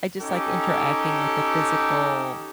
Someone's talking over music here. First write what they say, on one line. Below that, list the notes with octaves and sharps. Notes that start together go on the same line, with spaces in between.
I just like interacting with a physical
C#4 D#4 G4 A4